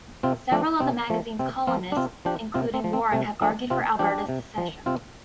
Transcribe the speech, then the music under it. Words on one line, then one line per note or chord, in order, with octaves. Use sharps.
Several of the magazine's columnists, including Warren have argued for Alberta's secession.
C3 C4 F4
F3 A3 D4
C3 C4
F3 A3
C3 C4
F3 C4 F4
D4
C3 C4 F4
F3 D4 G4
C3 C4 F4
C4
F3
C4
C3 A3
F3 A3 D4
C3 C4 F4
F3 D4 G4
C3
F3
C3 C4 F4